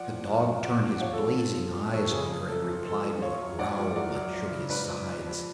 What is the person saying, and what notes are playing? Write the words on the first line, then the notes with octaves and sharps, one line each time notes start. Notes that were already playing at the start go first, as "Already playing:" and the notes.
The dog turned his blazing eyes on her and replied with a growl that shook his sides.
Already playing: F3 D5 F#5
A2
F#2
F3
F3 D5 F#5
F2
F#5
F2 C#5 F5
A4
F3
F3 A4
F3
F2
F2 A4 C#5
C#3 G#4
F2 G#4
F#2 A4
F3
F2 A4
F3
F3 C#5 F5
F#2
G#2 D5 F#5
F3
F#2 D5 F#5
F#2
F3
C#3
G#2 B4 D5
F3
F2
F2